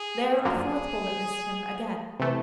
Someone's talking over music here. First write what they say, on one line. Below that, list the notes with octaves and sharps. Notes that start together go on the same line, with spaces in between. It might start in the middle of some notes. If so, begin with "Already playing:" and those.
There a fourth bullet missed him, again.
Already playing: G#4
F#2 D3 F3 A#3 G#4
C3 E3 A3